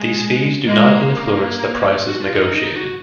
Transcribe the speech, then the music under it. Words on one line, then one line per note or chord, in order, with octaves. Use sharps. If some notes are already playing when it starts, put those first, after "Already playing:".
These fees do not influence the prices negotiated.
Already playing: G#3
G#3 A#3
F#4
F4
D#4
D#4
F#4